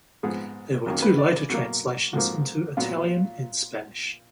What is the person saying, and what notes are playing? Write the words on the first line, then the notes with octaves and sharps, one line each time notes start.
There were two later translations into Italian and Spanish.
G#2 F3 B3 G#4
F#2 D#3 F#3 A#3
B4
D5
B2 F#3 A#3
G#2 F3 A#3 F#4
A#2 F#3 B3 F4